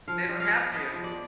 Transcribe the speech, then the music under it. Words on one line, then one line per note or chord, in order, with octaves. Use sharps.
they don't have to
F3 F5
F3
F5
B3
B3 D#5
F3
D5